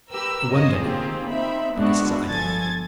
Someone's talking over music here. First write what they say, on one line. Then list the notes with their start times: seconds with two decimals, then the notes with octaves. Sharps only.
I wonder now--But this is idle.
0.11 G4 A#4 B4 E6
0.50 G2 C5 C#5 D#5
0.81 A#3 C4 D#4 F4 G4 G#4
1.29 C4 D#4 E5 B5
1.75 G#3 B3 C4 D4 E4 F#4
2.26 G1 F3 A4 G#5 G#6 A6